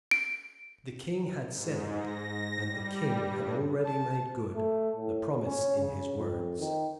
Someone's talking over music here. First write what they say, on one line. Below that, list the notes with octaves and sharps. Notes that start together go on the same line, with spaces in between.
The King had said it, and the King had already made good the promise in his words.
D7
G#2
A#6
G3
G2
A5
A3
A2
C#4
C#3
F2
D#3